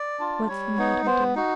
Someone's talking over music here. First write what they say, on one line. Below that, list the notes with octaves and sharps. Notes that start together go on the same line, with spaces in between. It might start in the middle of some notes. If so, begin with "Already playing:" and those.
"What is the matter, dear?"
Already playing: D5
D4 F4
G3 C#5
B3 D#4
B3 C5
D#4 F#4